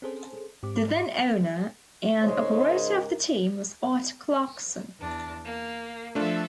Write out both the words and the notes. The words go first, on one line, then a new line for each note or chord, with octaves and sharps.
The then owner and operator of the team was Art Clarkson.
C4 C#4 G#4 A4 C5
G#2 C4 G4 D6
G#2 C#3 G#3 C5 C#5
A#4
E2 D4
A#3
F3 A3 D4 F4 A4 E5